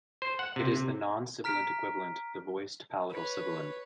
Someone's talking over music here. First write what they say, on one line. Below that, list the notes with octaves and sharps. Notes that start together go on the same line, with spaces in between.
It is the non-sibilant equivalent of the voiced palatal sibilant.
C5
F#5
C3
C3
A#5 F6 B6 D7
B4 C#5